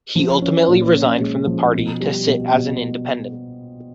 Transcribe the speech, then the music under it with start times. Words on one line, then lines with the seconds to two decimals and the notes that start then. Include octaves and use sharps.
He ultimately resigned from the party, to sit as an Independent.
0.16 F3
0.42 C#4
0.68 A#2
0.95 C#4
1.21 G#3
1.47 F3
1.74 B2
2.00 G3
2.27 B2
2.54 B2